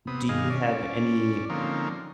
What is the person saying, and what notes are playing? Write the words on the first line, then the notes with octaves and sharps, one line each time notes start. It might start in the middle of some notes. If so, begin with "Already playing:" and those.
Do you have any
C3 B3 D#6
G2 D#3 G#4 D#5 F5
C#4 D5
D3 F3 A#3 C4 C#4 D#4